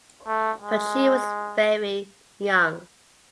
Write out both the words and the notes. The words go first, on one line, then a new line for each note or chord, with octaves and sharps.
But she was very young.
A3
G#3